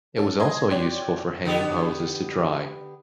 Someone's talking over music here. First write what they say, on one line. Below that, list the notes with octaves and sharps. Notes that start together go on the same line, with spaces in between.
It was also useful for hanging hoses to dry.
C#4 A4
G#4 D#5 C6 G#6
F#4 C#5 D5 G5 C6
D3 B3 G4